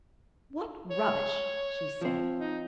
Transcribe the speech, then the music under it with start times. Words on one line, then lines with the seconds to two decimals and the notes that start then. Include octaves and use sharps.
"What rubbish!" she said.
0.90 C#5
2.01 F3 C4
2.40 D#4